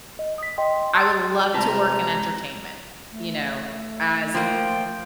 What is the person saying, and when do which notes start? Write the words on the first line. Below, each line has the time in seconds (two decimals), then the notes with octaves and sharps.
I would love to work in entertainment, you know, as an
0.19 D#5
0.38 D#6 B6
0.58 D#5 G5 C6
0.95 A5 C6 D#6 E6 A6
1.54 C3 G#3 F4 B4 A5 A#5
3.11 A3
4.35 F3 A#3 G5